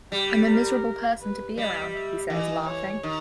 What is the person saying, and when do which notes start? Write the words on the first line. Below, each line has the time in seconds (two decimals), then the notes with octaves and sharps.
'I'm a miserable person to be around,' he says, laughing.
0.12 G3 G4
0.48 A#4
1.21 B4
1.57 G3 D#5
1.94 E5
2.30 E3 D#5
2.67 C#5
3.03 D#3